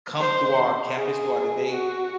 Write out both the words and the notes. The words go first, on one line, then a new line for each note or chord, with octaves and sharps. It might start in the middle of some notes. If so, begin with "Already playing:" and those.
come through our campus throughout the day
C5
G#4
F#4